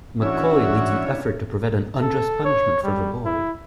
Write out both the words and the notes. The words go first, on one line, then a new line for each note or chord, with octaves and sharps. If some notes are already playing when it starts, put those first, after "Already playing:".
McCoy leads the effort to prevent an unjust punishment for the boy.
E3 C#4 D4 E4 F#4 C#5 E5
A4
C#5
G3
E4